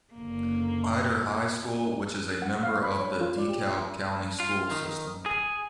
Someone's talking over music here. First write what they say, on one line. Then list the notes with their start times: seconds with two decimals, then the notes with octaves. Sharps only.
Ider High School, which is a member of the DeKalb County School System.
0.14 F#1 D3 A#3
2.42 F#5
2.63 F5
2.83 B5
2.99 C#5
3.21 F4
3.38 D5
3.49 G4
4.40 F4
4.71 D#3
5.26 G#4